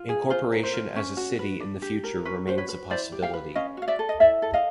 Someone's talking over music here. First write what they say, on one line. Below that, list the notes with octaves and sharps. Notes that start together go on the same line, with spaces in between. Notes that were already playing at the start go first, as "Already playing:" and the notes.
Incorporation as a city in the future remains a possibility.
Already playing: F4
G#4
F4 C5
A#4
C5
F4
C#4
F#4
B4
D4
G4
A#4
C#4 B4
F#4 C5
B4 C#5
B4
E4 C5 D5
G4
F5 G5
B4
C#4 D#5 F5
F#4 F5
D5 E5
A4
D#5
E4 D5 E5
A4
D#5 F5